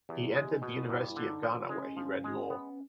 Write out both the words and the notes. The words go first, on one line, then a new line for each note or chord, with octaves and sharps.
He entered the University of Ghana where he read Law.
E2 G4
G#3 G4
B2 F#4
G2 E4
E4
D3
D#4
F3
G#3 C#4
F3
G#3
B3